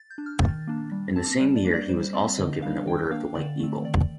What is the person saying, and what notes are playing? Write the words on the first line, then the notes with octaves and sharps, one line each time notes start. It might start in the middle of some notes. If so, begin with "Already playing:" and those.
In the same year he was also given the Order of the White Eagle.
Already playing: A6
G6
D4
F6
D#3 A6
A#3 D4
G3
C4 A5
G3 D5
D5
A#3 D4
D5
G3 C5
C4 D5
D3 D#5
G3 D4 F5
D#3 G5
A#3 D4 F5
D3 D5
A3 C4
D#3 D5